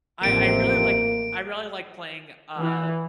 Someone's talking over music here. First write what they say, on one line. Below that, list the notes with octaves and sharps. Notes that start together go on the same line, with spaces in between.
I I really like, I really like playing, uh,
A1 F2 C3 A#3 D7
E3